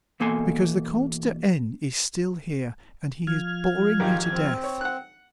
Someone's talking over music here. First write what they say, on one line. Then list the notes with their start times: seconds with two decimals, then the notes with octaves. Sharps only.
"Because the Comte de N. is still here, and he is boring me to death."
0.20 E2 B2 A#3 A4 G#5 C6
3.27 F3 F6 G#6
4.00 G#1 F4 G4 A#4
4.31 C4
4.64 C#5
4.81 F#5 F#6